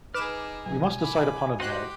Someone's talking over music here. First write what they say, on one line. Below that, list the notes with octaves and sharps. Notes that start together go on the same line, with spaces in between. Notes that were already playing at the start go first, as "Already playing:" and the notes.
We must decide upon a day.
D#4 G#4 B4 D6 F6 E7
B1 G#5
B5 D6
D#4 F#4 G4 C5 D#5 G5 C6 F#6